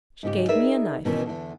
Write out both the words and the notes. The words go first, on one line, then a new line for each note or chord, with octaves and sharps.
'She gave me a knife.'
G#2 C#3 G4
D#4 G#4 A#4 B4 D5 E5
B2 D#3 E3 C#4
E2 G2 D3